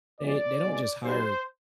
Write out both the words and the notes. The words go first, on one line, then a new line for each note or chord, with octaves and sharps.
they they don't just hire
G1 F2 D3 G#3 D5
B1 B2 G#3
B1 B2 G3 C5